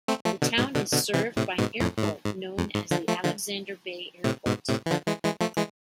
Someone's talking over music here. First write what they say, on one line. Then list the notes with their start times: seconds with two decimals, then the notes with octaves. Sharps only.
The town is served by an airport known as the Alexander Bay Airport.
0.08 A3 C4
0.25 F3 A3
0.42 B2 D3
0.58 G#2 B2
0.75 B2 D3
0.92 B2 D3
1.14 C3 E3
1.36 A2 C3
1.58 G#2 B2
1.80 F2 A2
1.98 A2
2.03 G#2
2.25 G#2
2.58 F2
2.75 G#2
2.91 D3 F3
3.08 F3 A3
3.24 D3 F3
4.24 A2 C3
4.46 G#2 B2
4.69 A2 C3
4.86 E3
4.91 D3 F3
5.07 E3 G#3
5.24 E3 G#3
5.41 F3 A3
5.57 E3 G#3